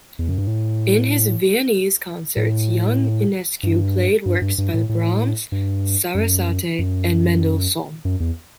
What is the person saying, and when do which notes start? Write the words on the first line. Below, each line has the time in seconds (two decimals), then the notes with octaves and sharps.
In his Viennese concerts young Enescu played works by Brahms, Sarasate and Mendelssohn.
0.19 E2
0.29 F#2
0.38 G2
0.47 A2
2.36 A2
3.63 G2
4.26 G2
4.42 G2
4.58 G2
4.74 A2
4.89 A2
5.52 G2
6.15 F#2
6.79 F#2
8.05 F#2
8.20 E2